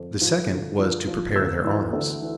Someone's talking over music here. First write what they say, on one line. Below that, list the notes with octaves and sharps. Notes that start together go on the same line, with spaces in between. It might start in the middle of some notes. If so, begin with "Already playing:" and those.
The second was to prepare their arms.
Already playing: F2
F3
D3
F3
F3
D2 E6
E3
D2
E3